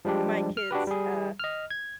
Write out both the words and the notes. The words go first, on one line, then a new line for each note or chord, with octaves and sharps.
my kids, uh
F3 G3 G#3 D4 G4
F6
D4 F#4 G4 B4
G3 G#4
D#5 F6
G#6